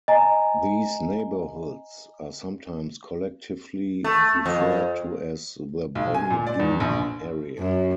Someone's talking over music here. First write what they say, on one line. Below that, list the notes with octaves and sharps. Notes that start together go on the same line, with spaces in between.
These neighbourhoods are sometimes collectively referred to as the Bonnie Doon area.
D#5 G#5 A#5
A3
F2
B1
G#5
A#2
D5
E2
A#1
F#2